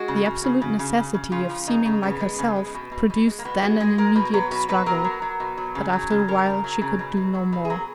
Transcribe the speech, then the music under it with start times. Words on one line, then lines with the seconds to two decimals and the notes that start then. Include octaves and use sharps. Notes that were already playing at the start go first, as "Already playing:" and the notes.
The absolute necessity of seeming like herself produced then an immediate struggle; but after a while she could do no more.
Already playing: G#3 F#4
0.08 C#3
0.26 C#3
0.44 C#3
0.62 C#3
0.79 C#3
0.97 C#3
1.14 C#3
1.32 C#3 F4
1.49 F3
1.67 C#3 D#4
1.86 C#3
2.03 C#3 B3
2.21 G#3
2.39 C#3
2.56 G#3
2.74 B2
2.92 B2
3.10 B2
3.27 G#3
3.39 A#3
3.45 B2 B3
3.62 G#3 F#4
3.80 G#3 G#4
3.98 G#3 A#4
4.16 B2 B4
4.34 F#3 B4
4.51 B2 B4
4.69 B2 B4
4.86 F#3 A#4
5.04 F#3
5.22 F#3
5.40 B2
5.57 F#3
5.75 C#3
5.93 F#3
6.10 C#3
6.28 C#3 A#4
6.46 C#3
6.64 F#3
6.81 C#3
6.99 B2
7.17 B2
7.35 F#3
7.52 B2
7.65 G#4
7.70 F#3 A#4